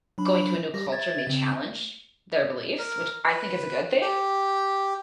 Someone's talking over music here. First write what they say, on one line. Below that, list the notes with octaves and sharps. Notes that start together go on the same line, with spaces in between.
going to a new culture may challenge their beliefs, which I think is a good thing.
F#3 D4 B5
G3 G4 A#6
E5 G#6 A6
C#3 C4
A#4
B4
G4